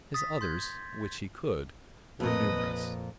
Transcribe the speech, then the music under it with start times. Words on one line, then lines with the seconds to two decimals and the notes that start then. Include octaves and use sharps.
His others--which he could--were numerous.
0.14 D#6 A6 B6
0.41 C6 G6 G#6
2.20 F2 A#2 B4 D#5